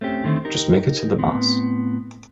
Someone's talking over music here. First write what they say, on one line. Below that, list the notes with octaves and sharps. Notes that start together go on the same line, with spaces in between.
Just make it to the Meuse.
A3 C4 C#4 G4
D3 D#3 A3 B3 C4
D#4 G4 A#4
A2 B3 C4